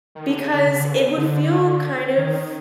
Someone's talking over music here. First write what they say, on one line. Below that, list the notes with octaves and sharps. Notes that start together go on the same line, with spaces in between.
because it would feel kind of
D#3
D3
C#3
D3
C#3
D3
C#3
D3
D#3